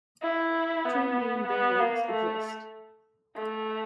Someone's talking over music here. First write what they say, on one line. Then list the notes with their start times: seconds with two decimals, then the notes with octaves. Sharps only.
Two main variants exist.
0.23 E4
0.85 B3
1.48 B3
1.80 A#3
2.11 A3
3.36 A3